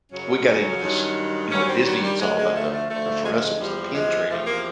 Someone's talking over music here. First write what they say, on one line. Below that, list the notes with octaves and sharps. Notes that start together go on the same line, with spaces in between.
we got into this. You know, at Disney, it's all about the or for us, it was the pin trading,
F#2 C#3 F#3 C#4
G2 D#3 F#3
G2 D#3 F#3 C#4
C4
F#3
G3
D2 D3 F3 G#3
G#3
A3
A3
D2 D3 F3 A3
G#3
A3
G#3
E2 C3 F3 G3
G#3
E2 C3 F3 A3
A#3